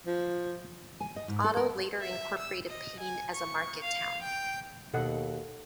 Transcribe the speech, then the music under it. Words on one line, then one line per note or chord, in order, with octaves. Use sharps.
Otto later incorporated Peine as a market town.
F3
G#5
D#5
G#2
A4
A#4
E5
E6
D#5
G#5
C#6
F5
G5
D#2 B2 A4 D#5 F#5